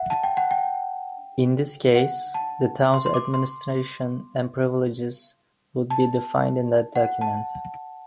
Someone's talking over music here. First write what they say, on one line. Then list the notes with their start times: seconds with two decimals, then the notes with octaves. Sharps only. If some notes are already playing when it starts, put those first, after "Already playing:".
In this case, the town's administration and privileges would be defined in that document.
Already playing: E5 F#5
0.10 A5
0.23 G5
0.37 F#5
0.51 G5
1.95 F#5
2.34 A5
2.94 C6
3.06 C6
3.14 D6
3.34 C6
5.90 A5
6.96 F#5
7.21 A5